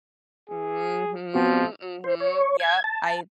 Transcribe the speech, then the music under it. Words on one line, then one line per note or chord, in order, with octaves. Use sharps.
Mhm, mhm, yep. I
G#4
F3 B3 C4 F#4
C5
C#5
G#6
A5